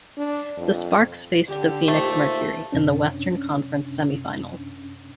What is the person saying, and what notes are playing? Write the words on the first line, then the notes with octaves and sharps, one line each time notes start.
The Sparks faced the Phoenix Mercury in the Western Conference Semifinals.
D4
F2
D3 G4
A#2 D#3 A3 C5
F#2 C3 C#4 D4